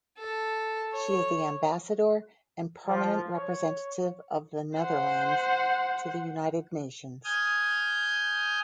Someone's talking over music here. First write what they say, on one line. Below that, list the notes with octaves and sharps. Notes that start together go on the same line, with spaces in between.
She is the Ambassador and Permanent Representative of The Netherlands to the United Nations.
A4
C#5
F3
C#5
C5 F#5
G#5 D#6 F6 G6